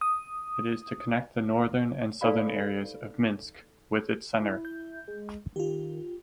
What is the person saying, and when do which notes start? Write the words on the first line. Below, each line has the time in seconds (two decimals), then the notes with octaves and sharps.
It is to connect the northern and southern areas of Minsk with its center.
0.01 D#6
2.21 D#4 A4 C5 D5 F5 B5
4.41 E4
4.65 G6
5.08 G#3
5.56 D#3 F4 G4